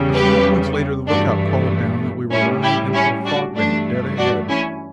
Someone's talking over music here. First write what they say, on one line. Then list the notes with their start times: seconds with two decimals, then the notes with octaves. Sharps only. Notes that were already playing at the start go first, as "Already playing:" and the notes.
A few moments later, the lookout called down that we were running into a fog-bank dead ahead.
Already playing: E2 C#3 G3
0.14 G4 B4
1.07 G2 E3 A3 D4 F#4
2.31 A2 G3 C#4 E4
2.62 E4 G4
2.94 C#4 E4
3.25 D4 F#4
3.56 G2 E3 A3 D4
4.18 D4 F#4
4.49 C#4 E4